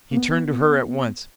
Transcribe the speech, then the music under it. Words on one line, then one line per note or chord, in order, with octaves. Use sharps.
He turned to her at once.
A#3
B3